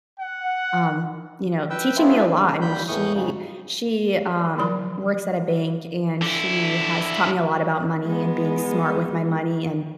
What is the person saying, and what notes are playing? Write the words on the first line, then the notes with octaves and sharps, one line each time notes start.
um, you know, teaching me a lot, I mean, she she, um, works at a bank, and she has taught me a lot about money and being smart with my money, and
F#5
B4 G5 E6
G#3 A3 B3 C4 E4 F4
G#2
D#2 G3 B5 G6
E2 A2 E3 C#6 D#6 G6
F2 G#2 C#3
D3 F3 F#3 B5
D3 E4
G#3 B3